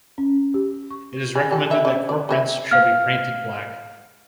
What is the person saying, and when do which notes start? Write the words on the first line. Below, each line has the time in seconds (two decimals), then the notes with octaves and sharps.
It is recommended that core prints shall be painted black.
0.18 C#4
0.54 G4
0.91 C#6
1.35 G#4
1.51 G4 A4
1.70 A4 E5
1.85 C#4 D5
2.09 D5
2.29 B3 C4 E5
2.71 F5 F6